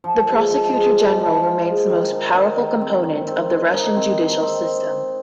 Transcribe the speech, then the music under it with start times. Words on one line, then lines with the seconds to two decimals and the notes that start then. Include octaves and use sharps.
The Prosecutor General remains the most powerful component of the Russian judicial system.
0.04 F3
0.28 G#3
0.50 F3
0.73 G#3
0.96 F3
1.20 F3
1.43 F4
1.66 G#3
1.89 D#3
2.12 D#4
2.35 D#4
2.58 D#3
2.81 C4
3.04 D#3
3.27 C4
3.50 D#3
3.73 D#4
3.96 C4
4.20 D#4
4.42 C4